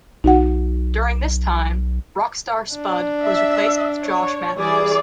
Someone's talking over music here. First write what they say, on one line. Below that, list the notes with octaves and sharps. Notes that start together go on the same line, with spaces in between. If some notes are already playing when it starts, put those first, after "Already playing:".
During this time Rockstar Spud was replaced with Josh Mathews.
B1 D#4 F#4 F#5
D4
E5
C#5
E3 G3 G#4 D5